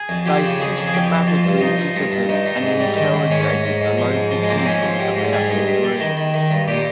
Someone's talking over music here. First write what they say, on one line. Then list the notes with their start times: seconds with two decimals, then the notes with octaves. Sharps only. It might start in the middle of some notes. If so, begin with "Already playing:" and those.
They systematically visited and interrogated the local people about their dreams.
Already playing: G#4
0.09 F2
0.26 F3 G4
0.44 C#3
0.60 F2 G#4
0.77 F3
0.87 G#4
0.93 F2 G4
1.10 F2
1.27 F3 F4
1.44 G2
1.61 F3 D#4
1.78 F3
1.96 G2
2.12 G2
2.29 G2 D#4
2.45 G2
2.63 G#2
2.80 G3
2.96 D#3
3.13 G#2
3.31 G#2 C#4
3.47 G#2
3.64 G#2
3.81 G#2
3.97 F3
4.15 G#2
4.31 F3
4.43 G#3
4.48 F3 A#3
4.57 C4
4.65 G#2 C#4
4.82 F3
4.99 G#2 G4
5.16 G#2
5.33 G3 G#4
5.49 G2
5.66 G2
5.83 G3
6.00 D#3
6.17 D#3
6.34 D#3
6.51 G2
6.67 A#2 G4